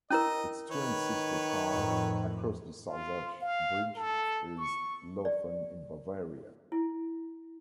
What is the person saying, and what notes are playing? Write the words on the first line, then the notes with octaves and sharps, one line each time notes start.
Its twin sister-town across the Salzach Bridge is Laufen in Bavaria.
C#4 E4 A#4 D#5
D#3 B4 C#5
F2 A2
F4
F5
A4
C#6
D5
E4